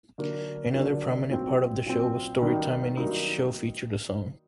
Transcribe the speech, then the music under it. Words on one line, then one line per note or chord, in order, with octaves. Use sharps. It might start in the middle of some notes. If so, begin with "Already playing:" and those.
Another prominent part of the show was story-time and each show featured a song.
D3 F#3 A#3 F#4
D3 F#3 A#3 F#4
A#2 F#3 C4
A#2 F#3 C4
G2 D#3 F#3 A#3 D#4
G2 D#3 F#3 A#3 D#4